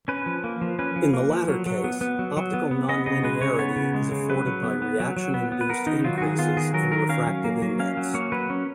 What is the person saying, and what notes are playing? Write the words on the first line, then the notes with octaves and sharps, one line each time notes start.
In the latter case, optical nonlinearity is afforded by reaction-induced increases in refractive index.
C#4 B4
F3
A#3
F3
C#4 B4
F3
A#3
F3
F#3
F#3
B3
B3
F#3
F#3
B3
B3
B3 D#5
C#3 D#5
G#3 B4
C#3 C#5
B3 C#5
C#3
G#3
C#3
F#3 B4
F#3
B3
B3
F#3
F#3
B3
B3
B4
B3 A#4
D#3 D#4
F#3 F4
F#4
D#3 G#4
B3 F4
D#3 G#4
F#3 A#4
D#3 A#4
C#4 F5
F#3
A#3
F#3
C#4 F5
F#3
A#3 C#5
F#3 B4
C#4